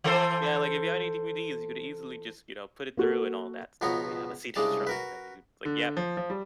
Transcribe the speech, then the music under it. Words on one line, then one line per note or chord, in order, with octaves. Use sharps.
yeah, like, if you have anything with these, you could easily just, you know, put it through and all that stuff if you have a CD drive, and you'd like, "Yep,"
E3 A4 C5
A#3 F#4 A4
C#2 B2 F3 B3 C#5 A#5
C2 C#3 G#3 D4 A5
F#4 A#4 B4
D3
F3
F3
G3